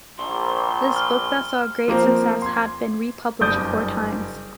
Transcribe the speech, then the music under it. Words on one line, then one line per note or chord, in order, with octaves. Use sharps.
This book that saw great success had been republished four times.
A#1 C6
F6
F3 A#3 C4
C6 G#6
F#1 G2 D5 D6 D#6 G6